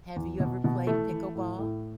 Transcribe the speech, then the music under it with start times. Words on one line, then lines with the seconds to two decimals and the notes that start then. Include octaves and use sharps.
Have you ever played pickleball?
0.16 E2
0.40 B2
0.64 B2
0.87 E3 A3
1.11 E3
1.35 A2
1.58 A2